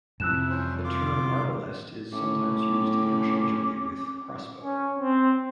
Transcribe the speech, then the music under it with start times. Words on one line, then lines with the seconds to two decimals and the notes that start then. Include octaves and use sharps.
The term "arbalest" is sometimes used interchangeably with "crossbow".
0.20 F2 C3 E4 E6 F#6 E7
0.50 C3 E3 G3 C#4 C5
0.84 F4 D6
2.13 A2 C#4 D6
4.62 C#4
4.99 C4